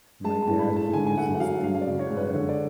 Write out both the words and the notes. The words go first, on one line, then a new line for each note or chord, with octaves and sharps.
my dad, he uses the, um,
G#3 A5
A5
A2
B5
G#3
A5
D3 G#5
G#5
A3 F#5
F#5
F#3 F5
G#3 F5
F5
D5
C#3
C#5
G#3
B4
D3 C#5
D5